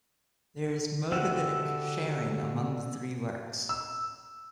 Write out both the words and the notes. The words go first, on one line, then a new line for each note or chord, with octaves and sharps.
There is motivic sharing among the three works.
D3 F#4 G4 E5
E6